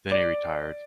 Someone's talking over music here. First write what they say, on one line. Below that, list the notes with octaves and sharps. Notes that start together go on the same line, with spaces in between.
Then he retired.
D5